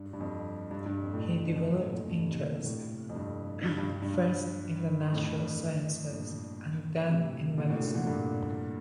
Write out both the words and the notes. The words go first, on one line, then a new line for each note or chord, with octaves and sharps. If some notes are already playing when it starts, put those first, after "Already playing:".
He developed interest, first, in the natural sciences, and then, in medicine.
Already playing: G2
G2
F2
G2
G2
F2
A2
G2
F2 A2
G2
F2
G2
F2 A2
A#2
F2 A2
F2 A2
G2 A#2
A2 C3
G2 A#2
A2 C3
A2 C3
F2
G2
G2
G2
G2
G2
G2
F2 A2
G2 A#2
A2 C3
A#2 D3
A2 C3
A#2 D3
A#2 D3
G2 A#2